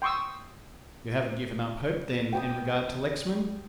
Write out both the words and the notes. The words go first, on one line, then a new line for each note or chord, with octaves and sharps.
"You haven't given up hope, then, in regard to Lexman?"
G5 C6 C#6 D#6 E6
G5 D6 D#6